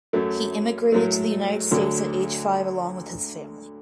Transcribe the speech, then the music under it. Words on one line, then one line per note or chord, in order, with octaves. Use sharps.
He immigrated to the United States at age five along with his family.
F#2 F#3 A3
A2 F#3 A3
D2 D3 F#3